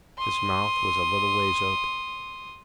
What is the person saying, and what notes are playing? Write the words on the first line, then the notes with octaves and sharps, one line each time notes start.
His mouth was a little ways open.
C6 D#6